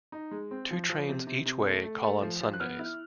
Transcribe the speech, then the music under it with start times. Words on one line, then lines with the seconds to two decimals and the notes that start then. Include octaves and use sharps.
Two trains each way call on Sundays.
0.12 D#4
0.31 G#3
0.51 C4
0.71 F3
0.89 F3
1.09 C3
1.27 C3
1.45 C3
1.65 A3
1.84 A3
2.03 A3
2.22 F3
2.41 F3
2.53 F#6
2.60 B3 F6
2.79 E4